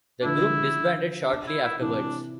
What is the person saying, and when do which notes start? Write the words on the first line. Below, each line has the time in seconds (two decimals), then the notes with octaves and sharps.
The group disbanded shortly afterwards.
0.22 D4
0.25 D3 F3 E4
1.29 D4
1.46 E4
1.63 E4
1.81 C3 E3 D4